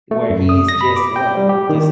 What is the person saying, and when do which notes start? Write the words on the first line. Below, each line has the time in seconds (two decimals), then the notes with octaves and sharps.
where he's, just look, just,
0.11 A3
0.30 F#2
0.49 D#6
0.69 A#6
0.81 B5
0.96 D6
1.16 G5
1.37 G3
1.49 G4
1.69 D#3